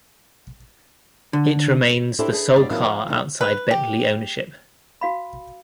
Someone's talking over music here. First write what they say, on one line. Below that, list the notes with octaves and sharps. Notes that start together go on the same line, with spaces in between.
It remains the sole car outside Bentley ownership.
D3
C4 D4 E4 G4 A4 C5
G#4 A4 B4
F#2 G3 C4 D#4 D5
D#3 F3 F#3 B3 D4 E4
F3
D2 A2 C4 D#4 F4
B4
G4
F#4 F5 B5